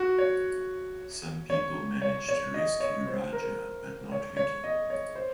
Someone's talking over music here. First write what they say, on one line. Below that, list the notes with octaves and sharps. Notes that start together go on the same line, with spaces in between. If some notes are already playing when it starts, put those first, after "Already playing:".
Some people manage to rescue Raja but not Vicky.
Already playing: F#4
C#5
C#5
C#5
C#5
D#5
C#5
C5
A#4
C#5
C#5
D#5
C#5
C5